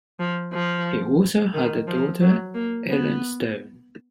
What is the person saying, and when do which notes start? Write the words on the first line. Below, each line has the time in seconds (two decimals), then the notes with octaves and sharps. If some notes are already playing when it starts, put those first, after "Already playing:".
He also had a daughter, Ellen Stone.
0.19 F3
0.53 F3
1.54 D#3
1.87 F3
2.21 F#3
2.54 A#3
2.88 B3